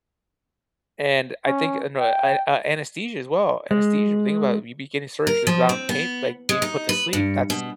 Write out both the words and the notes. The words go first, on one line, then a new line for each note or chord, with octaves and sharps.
and, I think uh, no, I uh, anesthesia, as well anesthesia when you think about it, we begin surgeries on pain like, being put to sleep, that's
C#4
G5
G#3
A#4
F3
C4
B3
G#3
D#4
B4
G2
B2